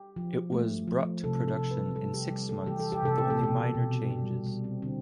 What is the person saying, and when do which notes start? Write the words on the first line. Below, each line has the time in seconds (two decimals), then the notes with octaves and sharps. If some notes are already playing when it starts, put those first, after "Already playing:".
It was brought to production in six months with only minor changes.
Already playing: G4
0.16 F3
0.52 A3
0.88 F3
1.24 C3 A4
1.48 A4
1.59 C3
1.71 B4
1.95 G3 A4
2.14 G4
2.31 G3
2.49 A4
2.67 E3 G4
2.80 A4
2.92 G4
3.03 C3 A4
3.18 G4
3.30 A4
3.39 B2 G4
3.75 B2
4.10 G3
4.46 G3
4.64 C4
4.82 D3 C4